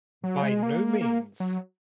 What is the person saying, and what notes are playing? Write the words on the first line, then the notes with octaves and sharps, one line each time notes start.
By no means.
F#3
G#3
A#3
A#3
F#3